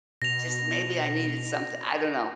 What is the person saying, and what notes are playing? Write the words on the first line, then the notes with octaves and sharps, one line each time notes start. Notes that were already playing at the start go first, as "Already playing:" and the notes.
just, maybe I needed something I don't know.
B2 A#6 F7